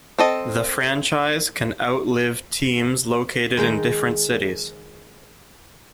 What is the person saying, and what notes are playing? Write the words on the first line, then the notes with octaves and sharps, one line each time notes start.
The franchise can out-live teams located in different cities.
C4 A4 D#5
D#3 G#3 G5 A#5